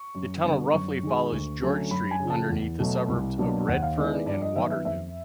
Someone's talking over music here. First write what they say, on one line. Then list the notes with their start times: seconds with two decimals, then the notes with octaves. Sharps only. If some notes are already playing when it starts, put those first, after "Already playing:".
The tunnel roughly follows George Street underneath the suburbs of Redfern and Waterloo.
Already playing: C#6
0.15 F#2
0.44 D3 G3 B3
0.73 F#2 C#6
1.03 D#3 G#3
1.32 D2
1.62 D3 F#3 A3 C#4
1.90 F#2 B5
2.11 G#5
2.20 C#3 F3
2.30 A5
2.49 E2
2.79 B2 F#3 A3
3.08 C2
3.38 B2 F#3 A#3 D4
3.68 D#2 F#5
3.83 F5
3.97 D#3 G#3 B3 E4 D#5
4.11 D5
4.26 G2 D5
4.42 D#5
4.56 D#3 F#3 B3 E5
4.71 E5
4.85 F2 E5